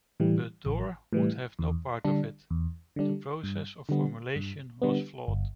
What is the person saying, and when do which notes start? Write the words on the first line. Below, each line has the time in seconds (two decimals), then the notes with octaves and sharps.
But Dorr would have no part of it; the process of formulation was flawed.
0.20 A2 E3 G3
0.66 A1
1.13 A2 E3 G3
1.59 E2
2.05 D3 G3 D4
2.50 E2
2.96 D3 G3 D4
3.43 G2
3.89 D3 G3 B3
4.36 G2
4.82 D3 G3 B3
5.28 G1